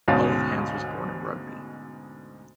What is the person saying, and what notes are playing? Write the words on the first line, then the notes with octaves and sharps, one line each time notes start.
Olive Hands was born in Rugby.
D2 G#2 B2 C#4 F5 A5